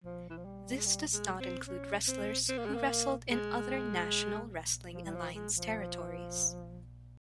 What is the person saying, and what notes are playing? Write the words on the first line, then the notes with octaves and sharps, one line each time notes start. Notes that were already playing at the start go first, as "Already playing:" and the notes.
This does not include wrestlers who wrestled in other National Wrestling Alliance territories.
F3
E3
F3
G3
G#3
G3
G#3
C4
C#4
C4
C4
A#3
G#3
A#3
G#3
F3
E3
F3
G#3
F3